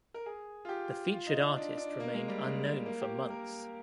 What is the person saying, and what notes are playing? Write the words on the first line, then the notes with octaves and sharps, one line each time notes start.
The featured artist remained unknown for months.
A#4
G#4
F4
G4
F4
D#4
D4
D4
A#3
G#3
G3
G#3
A#3
G4
A#4